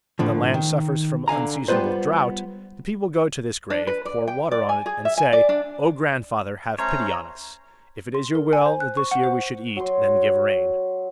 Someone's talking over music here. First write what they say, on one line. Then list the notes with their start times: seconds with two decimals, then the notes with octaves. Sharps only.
When the land suffers from unseasonable drought, the people go to this grave, pour water on it, and say, "O grandfather, have pity on us; if it is your will that this year we should eat, then give rain."
0.19 A2 D3 F3
0.54 D#3
1.28 D3 F5 G#5 A#5
1.68 G3 B3 F4 B4 C5
3.70 D4
3.87 B4
4.05 D5
4.28 G5
4.51 D5
4.69 G#5
4.86 G#4
5.05 E5
5.18 G#5
5.33 D5
5.49 D4
6.79 A3 C#4 C5 C#5 A#5
8.15 C6
8.35 A#4
8.53 G#5
8.66 C5
8.80 F#6
8.97 C#6
9.11 F#5
9.24 C5
9.76 F#3 C6